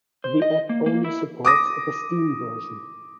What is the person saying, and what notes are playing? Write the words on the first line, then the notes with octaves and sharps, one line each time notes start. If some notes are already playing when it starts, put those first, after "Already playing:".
This app only supports the Steam version.
C5
D#5
A#3
A#3
E4
D6 D#6 A#6